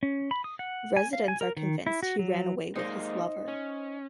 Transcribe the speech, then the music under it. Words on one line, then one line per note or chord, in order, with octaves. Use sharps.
Residents are convinced he ran away with his lover.
C#4
B5
D#6
F#5
G#5
F5
G#5
A#4
D#3
E4
F#4
F#3
G#3 A#3 D#4 C5 D#5
C#4